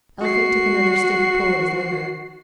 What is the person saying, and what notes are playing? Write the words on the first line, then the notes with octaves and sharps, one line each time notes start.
Elphick took another stiff pull at his liquor.
F#4 C7